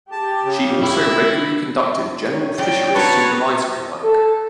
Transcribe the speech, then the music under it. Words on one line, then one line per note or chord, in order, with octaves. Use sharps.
She also regularly conducted general fisheries supervisory work.
G4 A5
C#3
E4
C#5 G#5
C#3 F#3 D5 G5
G#3 A#3 C4 F#4 B4 C#5 A5 C#6
A4